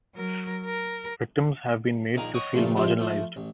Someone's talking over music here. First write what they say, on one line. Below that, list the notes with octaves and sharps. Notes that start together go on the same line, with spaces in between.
Victims have been made to feel marginalised.
F#3 A#4
A#4
A#1 D#3 A#3 G#4 A#5
C#5 D#5 F#5 G5 D#6
G2 A#2 C#3 F3 A3
C3 F3 G3 G#3 C5
F3 A3 C5
A1